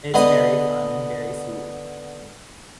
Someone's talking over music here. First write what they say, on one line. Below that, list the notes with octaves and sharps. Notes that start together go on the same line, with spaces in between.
It's very fun and very sweet.
D3 B3 D#5 B5